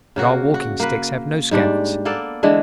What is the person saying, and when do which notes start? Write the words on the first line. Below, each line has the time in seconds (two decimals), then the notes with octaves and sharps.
But our walking-sticks have no scabbards.
0.16 C#3 A#3 F#4
0.54 F#4
0.80 A#3 B4
1.51 G#2 G3 D4
2.05 A#3 B3 A4 D5
2.43 D3 E3 G#3 D4